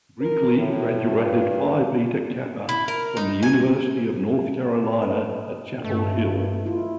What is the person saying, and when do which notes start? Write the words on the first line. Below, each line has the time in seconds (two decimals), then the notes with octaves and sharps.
Brinkley graduated Phi Beta Kappa from the University of North Carolina at Chapel Hill.
0.22 A#4
0.58 A2
1.16 G2
2.69 E4
2.88 A#4
3.17 D#4
3.43 G#5
5.02 A4 B4 D#5
5.85 G2 A3
6.66 E4 F4